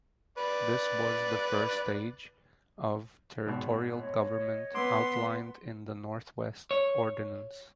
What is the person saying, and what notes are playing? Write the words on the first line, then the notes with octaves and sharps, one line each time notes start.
This was the first stage of territorial government outlined in the Northwest Ordinance.
B4 D5
G#1 B2
C#5 D#5
B3 C6 D6 E6
C#5